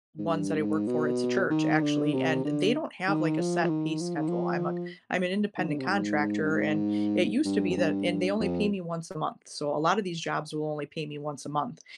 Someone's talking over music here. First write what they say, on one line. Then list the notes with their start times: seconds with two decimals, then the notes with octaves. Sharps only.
ones that I work for, it's a church, actually- and they don't have, like, a set pay schedule, I'm a c I'm an independent contractor and, it used to be that and they only pay me once a month. So, a lotta these jobs will only pay me once a month,
0.18 G#2
0.25 G2
0.57 G#2
0.87 B2
1.50 D#3
1.82 D3
2.13 C3
2.44 D3
3.08 D#3
3.39 F3
3.63 F3
3.69 D#3
4.01 F3
4.15 D#3
4.28 F3
5.57 D#3
5.68 D3
5.78 C3
5.88 G#2
6.42 G2
6.51 G#2
7.45 G2
7.70 F2
7.77 G2
8.40 F2